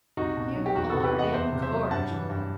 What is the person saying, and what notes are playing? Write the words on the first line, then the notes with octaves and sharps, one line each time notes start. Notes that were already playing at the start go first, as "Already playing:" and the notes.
"You are incorrigible!"
C2 D#4 F#4
B2
F#3
G4
E2 D#4 F#4
C3 F#4 A4
G4 B4
E3
D#5 F#5
E2 C5 E5
C3
C5 E5
F#3
G2 F#5 A5
E3
G2